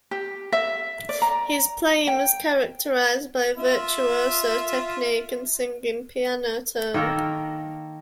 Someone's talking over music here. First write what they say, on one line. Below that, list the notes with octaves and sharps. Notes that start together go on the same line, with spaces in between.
His playing was characterized by a virtuoso technique and singing piano tone.
G4
E5
D5
A#5
G5
F4 E5
D#3 A#3 A4 A#4